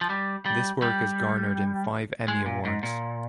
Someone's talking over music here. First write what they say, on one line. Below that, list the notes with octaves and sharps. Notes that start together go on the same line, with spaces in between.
This work has garnered him five Emmy Awards.
F3
G3
G3
G3
G#3
A#2
G#2
A#2